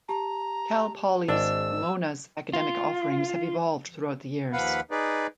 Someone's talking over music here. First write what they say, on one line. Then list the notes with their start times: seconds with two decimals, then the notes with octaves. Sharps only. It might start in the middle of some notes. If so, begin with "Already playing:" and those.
Cal Poly Pomona's academic offerings have evolved throughout the years.
0.09 G4 A5 A#5
1.28 G#1 D4 C5 D#5 E6
2.53 F4
4.53 D#2 F3 B4 F5 F#5 B5
4.91 D#4 G#4 B4 D5